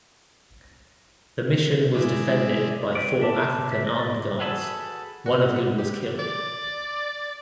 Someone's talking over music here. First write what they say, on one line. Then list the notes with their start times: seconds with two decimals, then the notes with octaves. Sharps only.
The mission was defended by four African armed guards, one of whom was killed.
1.95 G#3 E4 D5
2.95 F#3 C4 B4 D5
3.22 E5 A5 D6
3.72 E5
3.87 D5 D#5
4.40 F#4 G#4 A4 B4 B5
5.26 F#4
5.56 B3
5.78 G4
6.19 D5